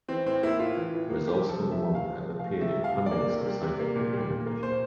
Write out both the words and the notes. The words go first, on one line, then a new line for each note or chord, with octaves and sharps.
Results from the model have appeared in hundreds of scientific publications.
E3 C4
A2 C4
A#3 E4
A2 F4
E3
A2
A#3
C3 G4
F3
A4
C3
E5
A3
C3 F5
F3
C3
A3 F5
C3 E5
G3
F5
C3
D5
A#3
C3
G3
C3
A#3
A#2
G3
A#2
A#3
A#2 C5